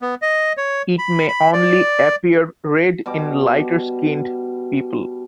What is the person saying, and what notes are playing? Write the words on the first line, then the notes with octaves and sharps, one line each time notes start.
It may only appear red in lighter-skinned people.
B3
D#5
C#5
B5
B5
D5
B2 G3 D6